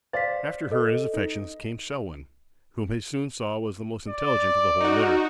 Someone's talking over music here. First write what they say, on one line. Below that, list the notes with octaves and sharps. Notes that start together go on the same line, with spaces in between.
After her in his affections came Selwyn, whom he soon saw was the most intelligent of the whole litter.
C5 D5 F5 A6 B6
A4 D#5
D#4
D5
D#4 F#4